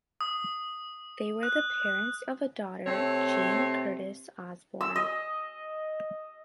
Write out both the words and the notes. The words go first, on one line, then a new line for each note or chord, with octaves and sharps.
They were the parents of a daughter, Jean Curtis Osborne.
D#6
F#6
C3 A3 C4 C#5
E6
D#5